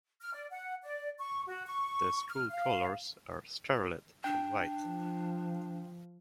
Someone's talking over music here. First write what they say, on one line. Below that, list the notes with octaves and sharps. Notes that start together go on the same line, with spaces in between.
The school colors are Scarlet and White.
F6
D5
F#5
D5
C#6
F#4
C#6
F6
F5
D4 G5
F3